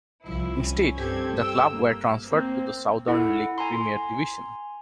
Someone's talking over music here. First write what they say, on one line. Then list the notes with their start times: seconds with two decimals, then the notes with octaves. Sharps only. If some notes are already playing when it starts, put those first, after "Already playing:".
Instead, the club were transferred to the Southern League Premier Division.
0.24 C2 F3 E4
0.63 C#4
0.96 G2 C4 G4 A4 G#6
1.36 G5 E6
1.69 A#3
2.26 A#3 C4
3.08 E4 A4 F#5
3.58 G#5 A#5 C6